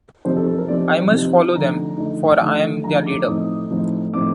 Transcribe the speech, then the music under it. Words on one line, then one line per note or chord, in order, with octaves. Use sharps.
I must follow them, for I am their leader.
C3 F3 C4 D#4 C5
A4
A4
A#4
C3 F3 C4 D#4 D5
C3 F3 C4 D#4
D3 F3 A3 D#4 A#5
D3 F3 A3 D#4
D3 F3 A3 D#4
D3 F3 A3 D#4 A#5
D6
A2 F3 C4 D#4 D#6
A2 F3 C4 D#4
A2 F3 C4 D#4 D6